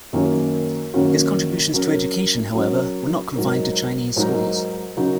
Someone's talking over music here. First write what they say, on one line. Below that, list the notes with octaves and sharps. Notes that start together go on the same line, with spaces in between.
His contributions to education, however, were not confined to Chinese schools.
F#2 D#3 A#3 C#4 F#4
F#2 D#3 A#3 C#4 F#4
F#3 C#4 A#4
F#3 C#4 A#4
G#2 F#3 D#4 A#4
G#2 F#3 D#4 A#4
C#3 F#3 D#4 F#4 A#4